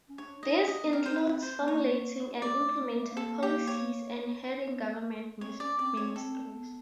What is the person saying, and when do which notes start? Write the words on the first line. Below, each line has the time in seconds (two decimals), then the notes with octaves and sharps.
This includes formulating and implementing policies and heading government ministries.
0.09 C#4
0.18 D4 C#5
0.43 D#4 D#5
0.68 D4 D#5
0.85 B3
0.92 C4 A#4
1.06 C5
1.18 B4
1.43 C5
1.61 B3
1.68 A#3 C#5
2.42 A3 D5
2.80 B3
2.90 A#3
3.00 A3
3.10 A#3
3.17 A4
3.43 G4
3.68 C#5
4.66 B3
5.41 C4 C#5
5.59 C#4 D5
5.79 C4 D5
5.97 C4 C#5
6.16 C4 A4
6.53 B3